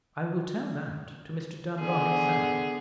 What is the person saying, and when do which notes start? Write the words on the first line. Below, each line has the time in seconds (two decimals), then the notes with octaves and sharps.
"I will tell that to Mr. Dunbar himself."
1.79 D3 B3 G#4